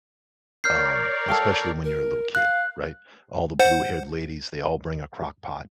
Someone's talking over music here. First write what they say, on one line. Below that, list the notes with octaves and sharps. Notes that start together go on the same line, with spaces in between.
um, especially when you're a little kid right? All the blue-haired ladies, they all bring a crock pot.
A#4 C#5 D5 F6 G6 C7
A4 F5 G5
A#4
F5 F#6
C5 F#5